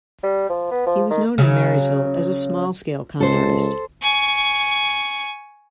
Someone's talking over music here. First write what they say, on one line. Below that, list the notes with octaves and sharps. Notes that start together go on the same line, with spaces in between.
He was known in Marysville as a small-scale con artist.
G3
F3
B3
F3
D#3
C#3 F#3
C#2 A4 C5
G#5 C#6